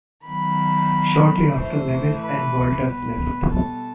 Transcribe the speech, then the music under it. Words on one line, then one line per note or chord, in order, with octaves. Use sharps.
Shortly after, Lewis and Walters left.
D#3 F#3 B3 B5
A2 E3 A3 C5
B4
B2 G3 B3 B4
A4